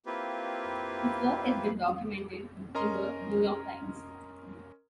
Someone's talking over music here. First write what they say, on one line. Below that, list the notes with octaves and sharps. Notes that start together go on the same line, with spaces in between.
His work has been documented in "The New York Times".
A#3 C4 E4 F4 G4 B4
C#4 A#4 D#5 A#5 C6